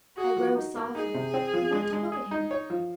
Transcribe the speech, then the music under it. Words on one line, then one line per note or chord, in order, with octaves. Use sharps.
I rose softly, and went to look at him.
F#4 G#4
F3
D#4
A#3
D#4 G#4
C3
C4
F3
G#3
G#3
G#4
D#4
C#5
F3